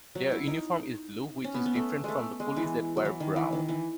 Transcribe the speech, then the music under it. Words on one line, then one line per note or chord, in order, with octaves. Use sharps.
Their uniform is Blue which is different from the Police that wear Brown.
F#3
E4
D#4
C#4
B3
B3
A3
G#3 A3
G#3
E3
F#3
E3
D#3
E3
D#3
E3